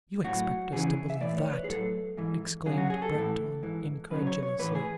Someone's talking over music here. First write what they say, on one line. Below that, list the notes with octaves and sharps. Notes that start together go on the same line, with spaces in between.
"You expect us to believe that?" exclaimed Breton incredulously.
A2 F#3 F#4
E2 C#3 E3 G#4
E5
A2 E3 D5
C#5
B4
G#4
A2 F#3 A4
G#2 E3
F#2 C#3 F#3 G#4
F#4
G#4
A4
A2 E3
G#2 E3
F#2 C#3 F#3 B4
C#5
C#5
A2 E3 B4
G#4